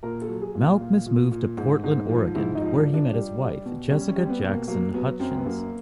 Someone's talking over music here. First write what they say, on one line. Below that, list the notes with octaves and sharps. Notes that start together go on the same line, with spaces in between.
Malkmus moved to Portland, Oregon, where he met his wife, Jessica Jackson Hutchins.
A#2 A#4
A4
F#3
G#4
A#2
F4
A#2
A#2
A#2
G#2
G#2
F3
G#2 E4
D#4
F3
D4
F3
D4
G3
G3
B2
G3 C#4
C#4
G3
C4
B3
B2
A#3
F#3 A#3
F#3 B3
F#2 C4
B3
F#2 A#3